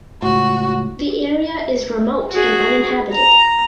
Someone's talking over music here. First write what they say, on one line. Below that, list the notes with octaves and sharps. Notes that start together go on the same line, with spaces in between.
The area is remote and uninhabited.
C#2 A2 F#4
F#4 G#4
A#5